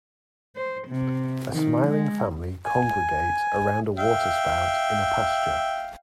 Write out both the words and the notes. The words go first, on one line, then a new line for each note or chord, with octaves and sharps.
A smiling family congregate around a water spout in a pasture.
C5
C3
D#3
G#3
G#5
E5 F5 G5